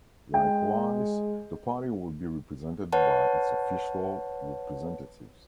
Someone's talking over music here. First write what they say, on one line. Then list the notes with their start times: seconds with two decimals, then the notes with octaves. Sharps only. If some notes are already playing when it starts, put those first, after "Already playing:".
Likewise, the party would be represented by its official representatives.
0.34 G#3 G5
2.93 B4 C#5 F#5 A5